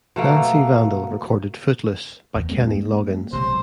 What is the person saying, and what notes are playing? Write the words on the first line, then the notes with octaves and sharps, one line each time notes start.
Nancy Vandal recorded "Footloose" by Kenny Loggins.
B2 A3 A#3
E2
G#3 A#3 C4
B1 C3 C5